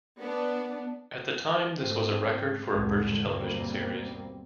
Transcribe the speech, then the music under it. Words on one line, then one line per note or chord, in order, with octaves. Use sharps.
At the time this was a record for a British television series.
B3 D4
G#2 A3 C4
C2 F2 A2 D3 G#3
G1 D#2 B2 G3 A#3 C4